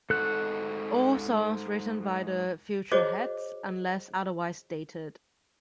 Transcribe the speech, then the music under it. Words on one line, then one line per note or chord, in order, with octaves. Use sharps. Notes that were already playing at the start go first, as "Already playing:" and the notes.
All songs written by The Futureheads, unless otherwise stated.
G#2 F#4 A4 F#6
F#4 G#4 C5 C#5 D#5 D6